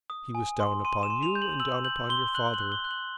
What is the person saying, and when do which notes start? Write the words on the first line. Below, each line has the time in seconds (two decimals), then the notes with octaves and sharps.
He was down upon you and down upon your father.
0.10 D#6
0.35 G#5
0.60 C6
0.85 C6 D#7
1.03 E7
1.10 C6
1.23 F7
1.35 G6
1.42 F#7
1.60 E6 F#7
1.85 G6 F#7
2.09 C6 G7
2.35 F#6 F#7
2.54 F#7
2.60 F#6
2.72 G7
2.84 F#6
2.91 F#7